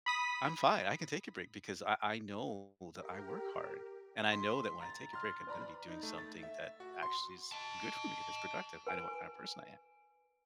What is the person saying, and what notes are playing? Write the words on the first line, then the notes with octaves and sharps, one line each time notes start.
I'm fine. I can take a break because I I know that I work hard. And I know that when I take a break, I'm gonna be doing something that actually is good for me, that's productive. I know what kind of person I am."
B5 D#6 B6
G4 A#4
G#3 C6 B6
A#5 A6
C6 F6 A6
B4 D5 A#5 B5
D#4
A3
A6
E5
F#4
C6
D#5 A5
B4 G#5